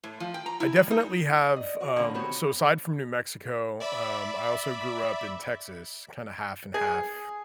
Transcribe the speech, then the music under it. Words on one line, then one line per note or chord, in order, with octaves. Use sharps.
I definitely have, um so aside from New Mexico, um, I also grew up in Texas kinda half and half.
A2
F3
G5
A#5
E4
G3
D#4
D5 D#5
F#4
B2 D3 F#3 G#3 A#3 C#4
B3 F#4 G4 A#4 C5 C#5
D5 E5 B5
G#4